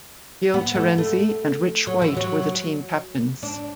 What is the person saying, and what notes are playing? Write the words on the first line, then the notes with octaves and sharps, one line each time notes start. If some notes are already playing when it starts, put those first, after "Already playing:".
Gil Terenzi and Rich White were the team captains.
B3
A3
A3
F#3
E3
F#3
D4